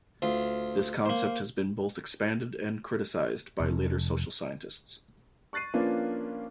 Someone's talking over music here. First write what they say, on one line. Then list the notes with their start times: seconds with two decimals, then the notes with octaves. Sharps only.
This concept has been both expanded and criticized by later social scientists.
0.22 D2 F4
1.06 A#3 C5
3.60 F1
5.53 C#6 F#6 A6 C7 D#7
5.74 F3 A#3 C#4 D4 F4 B4